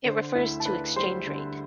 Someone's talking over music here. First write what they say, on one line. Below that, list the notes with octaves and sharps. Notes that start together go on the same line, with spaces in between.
It refers to exchange rate.
D3 C5
D2 E4 E5
A5
D4 B4 B5
G3 C5 C6
D3